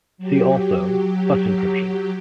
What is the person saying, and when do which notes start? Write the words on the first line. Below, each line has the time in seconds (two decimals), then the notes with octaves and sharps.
See also bus encryption.
0.18 F#3 G4